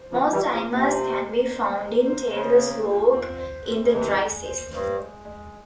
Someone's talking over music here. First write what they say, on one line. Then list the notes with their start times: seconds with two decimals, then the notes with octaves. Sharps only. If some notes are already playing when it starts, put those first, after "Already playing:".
Most animals can be found in Taylor Slough in the dry season.
Already playing: C5
0.11 C#3 F3
0.19 F4
0.32 E3 G3
0.45 F4
0.51 C#3 F3
0.71 C3 A#3
0.98 C5
1.24 A#3
1.51 C5
1.79 A#3
2.06 C5
2.32 C#3 C5
2.59 A#3
2.85 F4
3.13 C4
3.38 C5
3.65 C4
3.82 C#3
3.92 C3 E3 G#3
4.18 G#3
4.45 C5
4.72 G2 C5
4.98 G#3
5.25 G#3